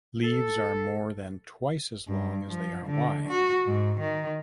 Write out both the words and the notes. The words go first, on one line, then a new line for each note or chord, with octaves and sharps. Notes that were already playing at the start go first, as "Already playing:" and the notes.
Leaves are more than twice as long as they are wide.
A4
G2
F3
D3
F#4
G#2
D#3